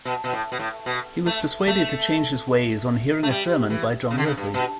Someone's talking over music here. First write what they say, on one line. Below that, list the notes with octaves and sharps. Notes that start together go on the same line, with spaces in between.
He was persuaded to change his ways on hearing a sermon by John Wesley.
B2
B2
A2
B2
A2
B2
A3
A3
A3
G3
E3
C#3
D3
C#3
G2
B2